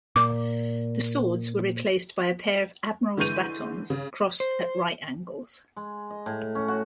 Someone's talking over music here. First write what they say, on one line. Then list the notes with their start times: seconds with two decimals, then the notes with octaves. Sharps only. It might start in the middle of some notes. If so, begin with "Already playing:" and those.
The swords were replaced by a pair of Admiral's batons crossed at right angles.
0.16 A#2 D6
3.17 D3 E3 G#3 C#6 G6 D#7
3.90 C#3
4.40 C5
5.76 G#3
6.10 D#5
6.26 A2
6.55 C#4
6.68 F#4